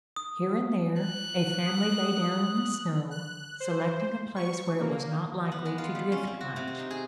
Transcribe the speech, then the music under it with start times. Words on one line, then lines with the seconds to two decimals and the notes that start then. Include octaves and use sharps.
Here and there, a family lay down in the snow, selecting a place where it was not likely to drift much.
0.16 D#6
1.00 F#6
1.66 D#6
3.11 F#6
3.60 C5
4.36 C#6
4.80 A#3
5.52 B3
5.65 G#3
5.78 F4
5.95 G3
6.12 C#4
6.27 C4
6.41 F#4
6.56 C3
6.68 C4
6.79 D#4
6.91 G#4